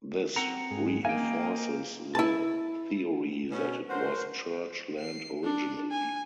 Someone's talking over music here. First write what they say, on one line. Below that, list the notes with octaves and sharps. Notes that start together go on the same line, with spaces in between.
This reinforces the theory that it was church land originally.
C4 F#5 A#5
G#2 G#3 G#4
A#3 A#4 D#5 F5 G5 G#5 A#5
E4 A5
B2 C#4
D3 F#3 F#4 A#4 C5
C7
D4
G#5